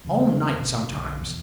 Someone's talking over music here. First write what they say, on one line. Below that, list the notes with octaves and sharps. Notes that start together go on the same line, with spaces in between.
All night sometimes....
E2 C#3
G#1 B2 D3
B1 F#2 D3
E2 B2